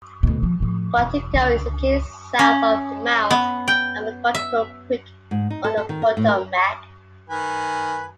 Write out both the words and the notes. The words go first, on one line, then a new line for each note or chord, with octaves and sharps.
Quantico is located south of the mouth of Quantico Creek on the Potomac.
D2 B2
F3
A2 F3
E1 E2
C#2 D3
C#4
B3
G5
E5
G#2
D#4
A4
A4
D#3
A#4
A2
A#4
D#3 B4 G#5